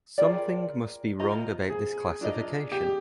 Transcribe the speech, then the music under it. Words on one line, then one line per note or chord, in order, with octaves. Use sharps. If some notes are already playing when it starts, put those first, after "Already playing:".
Something must be wrong about this classification.
F4 G#4 A#4 D5 G5
F4 C5 D#5 A#5
G#4
D4 F4 A#4 D#5
G4